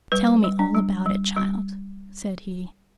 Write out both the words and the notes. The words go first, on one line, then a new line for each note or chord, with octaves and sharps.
'Tell me all about it, child,' said he.
G3 B4
G3
D4
G3
G3
G3